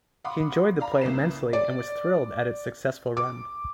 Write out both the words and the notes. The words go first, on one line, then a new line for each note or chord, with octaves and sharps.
He enjoyed the play immensely and was thrilled at its successful run.
F5 F#5 B5 C6 D6 D#6
D5 F5 A#5 B5
C2 C#3 A#3 B4 C7 E7
D5
D6